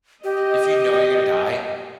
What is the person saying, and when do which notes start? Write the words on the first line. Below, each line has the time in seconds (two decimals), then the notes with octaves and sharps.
if you know you're gonna die
0.24 G4 D#5